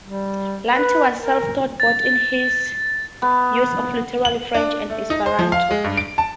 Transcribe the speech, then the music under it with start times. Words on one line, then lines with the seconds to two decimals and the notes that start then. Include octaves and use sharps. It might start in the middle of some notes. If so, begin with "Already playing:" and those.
Lanti was self-taught both in his use of literary French and Esperanto.
0.03 G3
0.67 B4
1.17 A#4
1.80 A6
3.22 B3
4.25 F#7
4.54 D4
4.90 A3
5.10 D#4
5.26 C5
5.39 F3
5.52 F5
5.71 G#3
5.84 G2
5.97 D7
6.18 A5